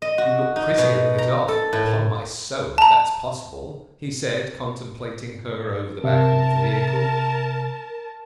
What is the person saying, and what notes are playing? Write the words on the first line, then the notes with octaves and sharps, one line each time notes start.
"You look prettier with it off, upon my soul, if that's possible," he said, contemplating her over the back of the vehicle.
D#5
F#4
D#4
B2
A#5
A4
A2
A5 A#5
C3 A#4 E5 A5